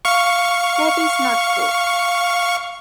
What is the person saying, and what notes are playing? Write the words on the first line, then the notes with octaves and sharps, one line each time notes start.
That is not true.
F5 C#6